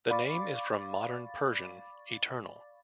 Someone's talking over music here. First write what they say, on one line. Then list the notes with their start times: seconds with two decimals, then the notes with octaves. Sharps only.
The name is from Modern Persian "eternal".
0.10 D5 F5 B5 C#6 D6 A6